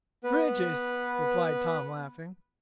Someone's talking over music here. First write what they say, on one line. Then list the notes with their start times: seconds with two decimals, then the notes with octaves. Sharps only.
"Bridges," replied Tom, laughing.
0.24 B3 B4